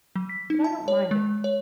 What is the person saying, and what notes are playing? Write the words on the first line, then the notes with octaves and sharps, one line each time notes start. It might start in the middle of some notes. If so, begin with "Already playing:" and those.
But I don't mind it.
F#3
B6
D#4
A5
C#5
G#3
C#5